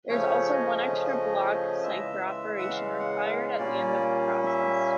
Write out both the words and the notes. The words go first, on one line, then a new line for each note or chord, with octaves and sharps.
There is also one extra block cipher operation required at the end of process.
C#3 F3 A3 C#4 C#5
D#5
C#3 E3 G#3 E5
E5
F#5
F5
F#5
F5
A#2 G3 A#3 C#4 D5
E5